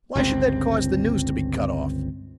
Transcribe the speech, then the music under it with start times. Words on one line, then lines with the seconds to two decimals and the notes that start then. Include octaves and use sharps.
Why should that cause the news to be cut off?
0.16 G1 C#2 B2 C4